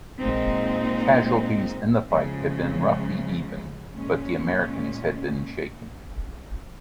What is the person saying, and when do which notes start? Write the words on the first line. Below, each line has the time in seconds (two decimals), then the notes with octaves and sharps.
Casualties in the fight had been roughly even, but the Americans had been shaken.
0.19 A#2 G#3 C4 D#4
2.07 C#3 F3 G#3
3.95 A#2 G#3 C#4